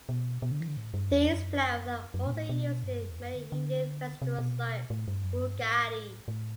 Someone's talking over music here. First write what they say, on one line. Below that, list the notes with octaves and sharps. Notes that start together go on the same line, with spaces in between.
These flowers are also used in many Indian festivals like Ugadi.
B2
B2
D3
E3
D3
A2
G2
E2
F#2
F#2
B2
A2
B2
G2
F#2
E2
F#2
D3
D3
C3
B2
A2
G2
F#2
G2
A2
A2